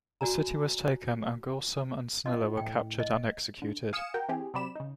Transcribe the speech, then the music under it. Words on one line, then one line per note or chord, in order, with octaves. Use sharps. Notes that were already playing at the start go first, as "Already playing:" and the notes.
The city was taken and Gaucelm and Sanila were captured and executed.
F#4 D5 G#5 A#5
C#4 F4 D#5
A2 G5
D#5
D3
F5 G#5 D#6 C#7 E7
F#4 A#4 G5
E3 C4 G4 G#4
C3 F#3 C4 D5 B5 E7
C#3 D#4